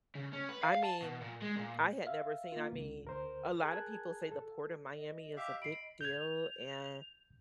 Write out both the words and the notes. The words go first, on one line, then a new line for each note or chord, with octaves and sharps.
I mean, I had never seen, I mean, a lot of people say the Port of Miami is a big deal, and
C#3
C#4
B4
F5
A5
B2
A#2
G#3
A#2
E5 F5
A#3 F4
C#2
D2 A#4 C5
G#4 A#4 G#5 A5 F#6 G#6
A4
D#5
G4 E5 F5
B5 C7 D7
G6 G#6 F7